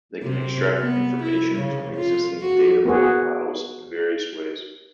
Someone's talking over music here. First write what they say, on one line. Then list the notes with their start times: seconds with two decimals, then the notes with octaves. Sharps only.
They can extract information from existing data mining models in various ways.
0.23 C3
0.80 B3
1.23 E4
1.57 C#3
1.96 F4
2.42 F#4
2.85 A#3 B3 F#4 G#4